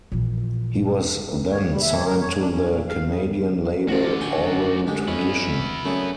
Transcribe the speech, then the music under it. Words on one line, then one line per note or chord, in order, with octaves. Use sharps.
He was then signed to the Canadian label Aural Tradition.
A#1 E3
C#5
G3
E5
C#5
A#4
C#5
D4
C#4
A#2
F5
C#3
A1 A2 C3 F3 F#4 D5
D2 G5 G#5 C6
D2 D3 G#3 G4
F2 B3 C#4 E4
F#2 A3 G#4 D5